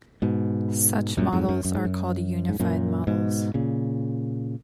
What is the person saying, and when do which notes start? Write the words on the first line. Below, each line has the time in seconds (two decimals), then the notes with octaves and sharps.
Such models are called unified models.
0.22 G#2 B2
1.17 F#2 A#2
1.33 F2 G#2
1.49 F#2
1.65 F#2
1.75 G#2
1.85 F#2
2.49 G#2
2.60 F#2 A#2
3.07 G#2 B2
3.54 A#2 C#3